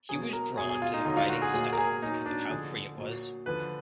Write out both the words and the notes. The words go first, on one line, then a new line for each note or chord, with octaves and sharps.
He was drawn to the fighting style because of how free it was.
B2 F#3 G#4
A#4
B2 F#3 G#4
G#4
F4
D#4
D3 F#3 D#4
F4
F#4
G#4
A#2 F#3 G#4
A#4
G#4
A#2 F#3 D#4
D4
D3 F3 G#4
A#2 F#3
D3 F3 B4